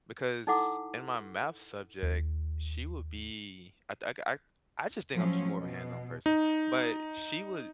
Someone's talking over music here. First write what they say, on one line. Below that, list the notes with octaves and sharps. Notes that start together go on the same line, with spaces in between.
because in my math subject, she would be I th I I just think I'm just more of a hands-on person, but she would
D#4 E4 A4 F#5 D6
D#2
F3 F#3 A3 C4 C#4
B2
D#4